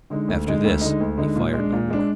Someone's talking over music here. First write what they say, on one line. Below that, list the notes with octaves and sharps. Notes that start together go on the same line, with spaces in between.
After this he fired no more.
D3 G#3 D#4
D2
D3 G#3 D#4
D2
D3 G#3 D#4
D2
D3 G#3 D#4
A#2
G#3 D4
A#2
G#3 D4